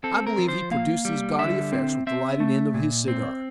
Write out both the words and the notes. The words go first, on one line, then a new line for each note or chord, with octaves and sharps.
I believe he produced these gaudy effects with the lighted end of his cigar.
C4 A4
A#4
F3
C5
A#3 F5
G3
D3 E5
C4
C4 E5
A3
A#2
C4